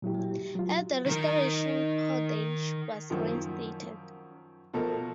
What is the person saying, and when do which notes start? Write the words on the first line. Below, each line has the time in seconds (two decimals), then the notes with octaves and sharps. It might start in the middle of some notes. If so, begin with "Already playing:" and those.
At the Restoration Pordage was reinstated.
0.02 A#2 F#3 E4 G4
0.55 F#3 F4
1.06 D#3 A#4
3.10 F#2 D#3 F3
4.74 B2 F3 A4 A#4